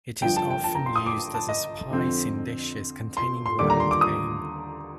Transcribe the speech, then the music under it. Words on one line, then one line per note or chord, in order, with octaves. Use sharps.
It is often used as a spice in dishes containing wild game.
G1 G2 F3 G5
A5
G5
A5
A#5
C6
D#6
D6
A5
D#5
F2 D3 F3 C4
C6
C6
D#2 D3 G3 D6
A#5
C6
D6
D#6